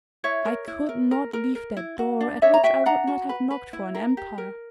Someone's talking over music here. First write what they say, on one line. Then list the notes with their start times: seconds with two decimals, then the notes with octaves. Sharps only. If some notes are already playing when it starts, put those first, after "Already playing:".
I could not leave that door at which I would not have knocked for an empire.
0.24 E4 C#5 E5
0.45 A#4
0.68 E4
0.89 A#4
1.11 A#4
1.33 A#4
1.55 A#4
1.77 E4
1.99 F#4
2.21 D4
2.42 D4 C#5 E5
2.54 A#5
2.63 F#4 E5 G5
2.86 D4 F#5 A#5
3.07 F#4
3.29 B4
3.51 B4
3.73 E4
3.95 A#4
4.17 G4
4.38 A#4